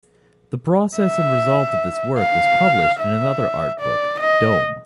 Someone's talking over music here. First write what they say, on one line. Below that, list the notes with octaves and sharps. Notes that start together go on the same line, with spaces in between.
The process and result of this work was published in another art book, "Dome".
E5
F5
E5
D5
D#5